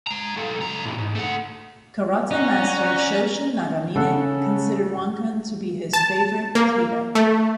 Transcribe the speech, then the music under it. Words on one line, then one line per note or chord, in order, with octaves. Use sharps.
Karate master Shoshin Nagamine considered "wankan" to be his favorite kata.
G#3 A#5
F#3 A4
C#2 A#5
A#2 E3
G#2
A3 F#5
C#4 F#4 D5 A#5
C#3 A4 F#5
A5
A#3
A3